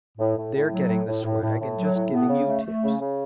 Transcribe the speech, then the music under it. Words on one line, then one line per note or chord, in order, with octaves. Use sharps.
They're getting the swag, and just giving you tips.
A2
A2
A2
F#3
A2
A2
A2
A2
A2
F#3
A2
B3
C#3
A3
A3
C#3
C#3